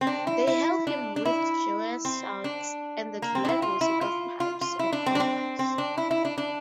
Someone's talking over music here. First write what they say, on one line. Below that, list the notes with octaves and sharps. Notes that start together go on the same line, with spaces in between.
They hail him with joyous shouts and the glad music of pipes and horns.
C4
D4
E4
E4
D4
D4
E4
C4
D4
A#3
C4
D4
E4
F4
E4
F4
F4
F4
E4
D4
C4
D4
C4
C4
D4
E4
E4
D4
D4